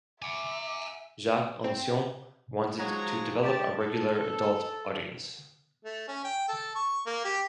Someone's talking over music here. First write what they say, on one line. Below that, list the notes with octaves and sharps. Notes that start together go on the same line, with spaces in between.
Jacques Ancion wanted to develop a regular adult audience.
E5 F#5 G#5 D6
C4
G#2 F3 F#3 G#3 C#5 A#5
G4 A5
A4
A3
C#4
G5
A4
C#6
A#3
G4